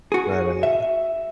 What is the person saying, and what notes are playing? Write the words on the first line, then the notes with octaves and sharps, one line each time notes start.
But, uh,
F#4 G#4
E5